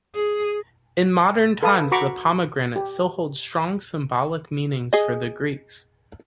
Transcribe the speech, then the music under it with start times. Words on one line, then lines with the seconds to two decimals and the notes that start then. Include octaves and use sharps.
In modern times, the pomegranate still holds strong symbolic meanings for the Greeks.
0.15 G#4
1.63 A4 B4 F5 A5 D#6
1.92 F#4 A#5 B5 C#6 D6
2.76 G4
4.93 G#4 D#5